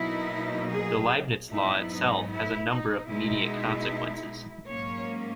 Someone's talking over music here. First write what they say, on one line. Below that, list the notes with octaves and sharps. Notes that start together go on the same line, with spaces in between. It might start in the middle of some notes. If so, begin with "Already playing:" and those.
The Leibniz law itself has a number of immediate consequences.
Already playing: B2 F#3 A#3 D#4 E4
G#4
G#2 F#3 B3 D#4 E4
D#4
E4
D#4
B2 G#3 D#4 E4
G#2 F#3 A#3 C#4 C#5